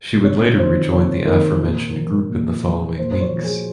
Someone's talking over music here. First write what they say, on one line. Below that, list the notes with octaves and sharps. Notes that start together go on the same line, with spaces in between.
She would later rejoin the aforementioned group in the following weeks.
C3 C#5
D#3 C5
C3 C#5
D#3 A#4
A#2
F3
A#2
F3
A#2 C5
C5
C#5
F3
G#4